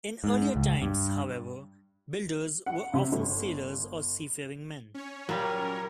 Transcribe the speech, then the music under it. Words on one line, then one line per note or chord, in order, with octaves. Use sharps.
In earlier times, however, builders were often sailors or seafaring men.
G#2
C#2
G2
F#5
C3
G1
C#4 C#5
A#2 F#3 G3 G4 A#4